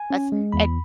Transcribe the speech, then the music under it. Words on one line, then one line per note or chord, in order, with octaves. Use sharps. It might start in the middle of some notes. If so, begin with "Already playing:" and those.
that's eh
Already playing: G#5
C#4
G#3
E2 B5